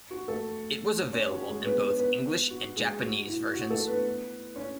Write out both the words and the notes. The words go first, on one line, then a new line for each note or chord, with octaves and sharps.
It was available in both English and Japanese versions.
F#4
A3 A4
C#4 C#5
F#4
G#3 G#4
B3 B4
B3 B4
B3 B4
F#4
G#3 G#4
F#4
E4
F#4
A3 A4
B3 B4
C#4 C#5